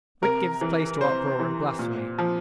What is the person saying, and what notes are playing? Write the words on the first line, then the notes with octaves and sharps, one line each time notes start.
Wit gives place to uproar and blasphemy.
C3 A#4
E3
C3 C5
E3
A#2
F3